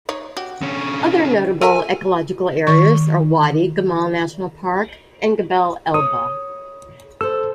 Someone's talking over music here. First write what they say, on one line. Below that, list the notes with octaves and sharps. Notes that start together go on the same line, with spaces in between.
Other notable ecological areas are Wadi Gamal National Park and Gebel Elba.
D#4 C#5
F#4 G4
D3 C#4
A4 A#4 E5 G#5
D#3 C#6
C#5 D#6
A4 C5 E6